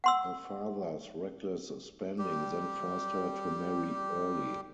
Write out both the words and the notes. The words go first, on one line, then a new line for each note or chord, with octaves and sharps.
Her father's reckless spending then forced her to marry early.
F#5 C6 E6
G3 G4